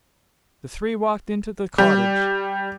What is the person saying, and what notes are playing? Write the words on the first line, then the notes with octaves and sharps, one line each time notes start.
The three walked into the cottage.
G3